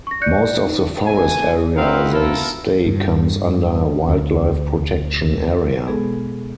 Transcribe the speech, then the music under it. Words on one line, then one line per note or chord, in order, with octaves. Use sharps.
Most of the forest area they stay comes under wild life protection area.
C#6 A#6
D5 F#6 G6 C#7
D#4
B2 E3 A3 G#5
C4 D#4 A#4 B4 F5 F#5
B3 E4 F4 A4 A#4
G2
D2
B2 G#3 B3 G#4 A4